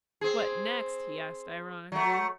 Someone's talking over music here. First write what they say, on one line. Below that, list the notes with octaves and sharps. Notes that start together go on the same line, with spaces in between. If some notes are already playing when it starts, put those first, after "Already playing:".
"What next?" he asked ironically.
C4 G#4
F#3 A3